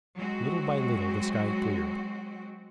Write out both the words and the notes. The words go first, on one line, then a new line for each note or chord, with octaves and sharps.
Little by little the sky cleared.
F#3 G#3 C4 F#4